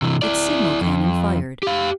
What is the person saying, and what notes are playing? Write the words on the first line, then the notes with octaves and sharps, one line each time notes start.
Its signal cannon fired.
C3 E3
E4 D5
F2
G4 F5